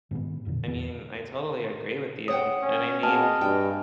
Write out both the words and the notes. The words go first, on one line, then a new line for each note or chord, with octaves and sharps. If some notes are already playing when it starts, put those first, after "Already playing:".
I mean, I totally agree with you, and I mean,
G#2 B2 D#3 B3
E1 F2 A#2 D3
E2 B3
C#5 F#5 G5 D#6
C#4
B2 A#3 C4 G#4 D#5 G#5 A5 F6
G2 G5